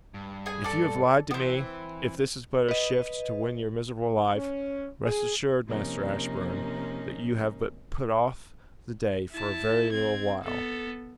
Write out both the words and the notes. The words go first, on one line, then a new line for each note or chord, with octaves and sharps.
"If you have lied to me, if this is but a shift to win your miserable life, rest assured, Master Ashburn, that you have but put off the day for a very little while."
G2
G#4 G#5
A4 D5
E3 B3 C4
B4 D#5
C#4
G#4
C3 F3 A#3 C#4 D#4
E4 A5
C4 G#6
B3 A4